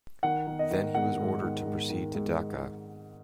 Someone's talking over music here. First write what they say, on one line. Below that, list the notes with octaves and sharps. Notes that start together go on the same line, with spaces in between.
Then he was ordered to proceed to Dhaka.
D#3 F#5
D#3
D#5
D#3
G#2 F#5
G#2
D#3
G#2
D#3
G#2